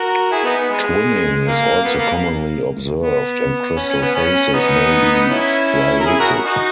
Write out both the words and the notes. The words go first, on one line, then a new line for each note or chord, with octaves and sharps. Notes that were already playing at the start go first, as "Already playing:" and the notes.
Twinning is also commonly observed and crystal faces may be striated.
Already playing: F#4 A#4
E4 G#4
B3 D#4
B3
G#3
A#3
B3
A#3
B3
C#4
C#4
B3
C#4
B3 D#4
C#4 E4
A#4
E4 G#4
F#4 A#4
D#4 F#4